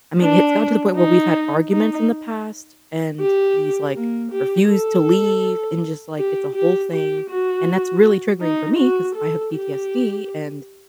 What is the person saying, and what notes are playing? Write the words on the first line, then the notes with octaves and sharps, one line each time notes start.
I mean, it's gotten to the point where we've had arguments in the past, and he's, like, refused to leave and just, like, it's a whole thing. And that's really triggering for me 'cause I have PTSD and,
D4
D#4
D#4
G4
A#3
G4
A4
G4
G4
G4
F#4
D#4
F#4
A4
G4